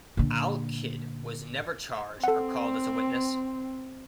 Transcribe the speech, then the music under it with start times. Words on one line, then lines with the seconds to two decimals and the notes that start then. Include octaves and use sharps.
Al-Kidd was never charged or called as a witness.
0.17 A#2 D3
2.24 C4 A4 F#5